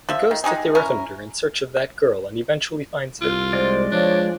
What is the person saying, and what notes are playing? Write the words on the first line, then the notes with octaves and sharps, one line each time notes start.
He goes to Thiruchendur in search of that girl and eventually finds her.
F3 E5
D#3
G#3 D#4 G4 G#4
C#4 E4 A#4
C2 F4
G#3 C5 D5
F3 D4 C#5